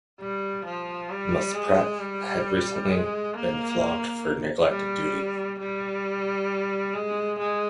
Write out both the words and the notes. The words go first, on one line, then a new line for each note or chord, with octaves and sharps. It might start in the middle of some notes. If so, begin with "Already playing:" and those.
Muspratt had recently been flogged for neglect of duty.
G3
F3
G3
G#3
G3
G#3
A#3
G3
G3
G#3
G#3